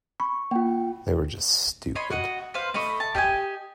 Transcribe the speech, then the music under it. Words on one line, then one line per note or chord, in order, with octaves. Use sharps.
They were just stupid.
B5 C#6
A#3 F4 G5
C#5 D#5 B5 C6
F#4 D#5 F#5
B4 C5 F5
A3 D#5 B5
A5
G4 D#5 E5 G#5